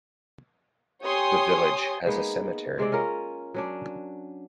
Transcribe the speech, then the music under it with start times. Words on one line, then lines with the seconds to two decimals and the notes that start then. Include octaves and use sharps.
The village has a cemetery.
1.01 G4 C#5 G#5 C6 D#6
2.07 G#3 A#3 B3 D#4
2.78 C3 G#3 C4 D5
2.92 C#4 F4 A#4 C#5
3.54 F#3 C#4 D4